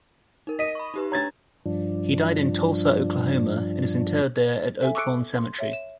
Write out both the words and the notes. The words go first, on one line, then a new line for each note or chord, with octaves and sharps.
He died in Tulsa, Oklahoma, and is interred there at Oaklawn Cemetery.
D#4 A#4
D#5 B6 D#7
B5 C#6
D#4 G4 B4
D4 C#5 A#5 G#6 A6
G2 F3 D4
A4 E5 G#5
C#6 D6 E6 F#6 C#7 D7
C6
C#5 E5
E7